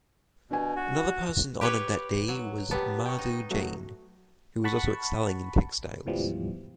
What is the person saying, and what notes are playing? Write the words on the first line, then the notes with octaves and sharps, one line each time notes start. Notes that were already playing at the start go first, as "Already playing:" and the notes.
Another person honoured that day was Madhu Jain who was also excelling in textiles.
B2 D4 G#5
F#4
G4 B4 C#5
F#3
B3 G4 B4 A5
G5 C#6
D#4
F#3 A3 F#4
F#5 A5 B5 C#6
D2 G#2 B2 E3 F3 G3